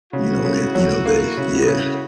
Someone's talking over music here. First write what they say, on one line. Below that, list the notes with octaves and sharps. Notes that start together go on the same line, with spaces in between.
You know, it you know, they yeah.
C#3 E4 F#4
C#3
F#3
A#3
C#3
C#3